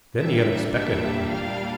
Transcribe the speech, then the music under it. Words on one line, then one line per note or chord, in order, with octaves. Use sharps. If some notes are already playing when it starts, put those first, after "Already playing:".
Then the unexpected happened.
A#2 G3 A#3 D4 E5
E5
F5